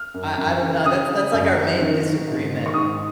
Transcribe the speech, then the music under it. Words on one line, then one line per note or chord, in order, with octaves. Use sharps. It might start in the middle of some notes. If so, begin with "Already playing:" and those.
I I don't know, that's that's, like, our main disagreement,
Already playing: F6
F#2
F#2
C#3
C#3 D#6
C#3
F#2
F#2
D#3
D#3
G#2
D#3
C#6
G#2 D#6